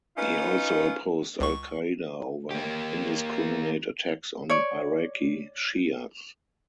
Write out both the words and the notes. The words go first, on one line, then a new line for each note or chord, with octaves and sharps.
He also opposed Al-Qaida over indiscriminate attacks on Iraqi Shias.
C#4 D#4 F4 B4
C#2 C#6
A#3 G4
C#5 D5